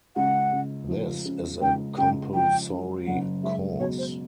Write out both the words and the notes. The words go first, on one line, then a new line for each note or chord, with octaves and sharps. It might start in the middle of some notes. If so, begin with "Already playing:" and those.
This is a compulsory course.
C#2 F#5
C#2
F3
C#3
C#2 G5
C#2 G5
F3 G5
C#3
F#1 F#5
G#3 E5
B2 C#5
C5